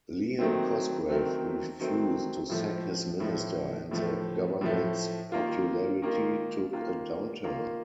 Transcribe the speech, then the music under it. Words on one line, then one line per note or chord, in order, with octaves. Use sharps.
Liam Cosgrave refused to sack his Minister and the government's popularity took a downturn.
D#3 F#3 A3 C4
D#3 F#3 A3 C4
D#3 F#3 A3 C4
A2 F3 A3
A2 F3 A3
A2 F3 A3
A2 F3 A3
D#3 A#3 F4
D#3 A#3 F4
D#3 A#3 F4
D#3 A#3 F4